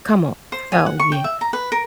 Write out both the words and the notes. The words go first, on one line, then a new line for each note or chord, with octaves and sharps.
come on, so, yeah.
C5
G#5
F#5
C#6
G5
E5
A#5
B4
A#4